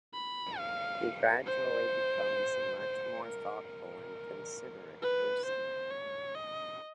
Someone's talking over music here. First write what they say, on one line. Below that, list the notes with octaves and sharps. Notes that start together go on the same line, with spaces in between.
He gradually becomes a much more thoughtful and considerate person.
B5
F5
C5
C5
A#4
A#4
B4
C5
C#5
D#5